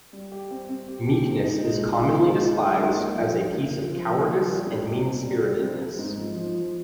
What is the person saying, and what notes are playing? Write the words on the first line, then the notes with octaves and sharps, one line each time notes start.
Meekness is commonly despised as a piece of cowardice and mean-spiritedness.
G3
G4
C4
C4
G4
G4
C4
D#4
G#3
A#2
D#4
G#3
D#4
G#3
D#4
A#3
F3
F4
A#3
F3
F3
A#3
F3
G3
G#2
G4
C4
G3
G3
C4
C4
G#2
F3
F3
F3